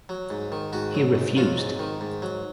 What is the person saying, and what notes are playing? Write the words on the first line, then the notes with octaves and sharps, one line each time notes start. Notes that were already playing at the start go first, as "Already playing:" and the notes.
He refused.
F#3
G#2
D#3
G#2 F#4
F#3
G#2
F#3 F4
G#2
D#3
G#2
F#3